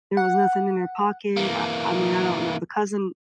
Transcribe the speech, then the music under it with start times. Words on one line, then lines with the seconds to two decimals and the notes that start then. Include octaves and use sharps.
there was nothing in their pocket, uh, I mean, I don't know the cousin
0.17 F#5
1.37 E3 A#3